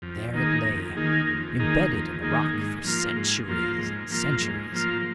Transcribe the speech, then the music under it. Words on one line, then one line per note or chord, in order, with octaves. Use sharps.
There it lay, imbedded in the rock for centuries and centuries.
F2
D#3 A#3 D#4 G#4
F2
D#3 A#3 D#4 G#4
F2
D#3 A#3 D#4 G#4
F2
D#3 A#3 D#4 G#4
G#2
F3 A#3 F4
G#2
F3 A#3 F4
G#2
F3 A#3 F4
G#2
F3 A#3 F4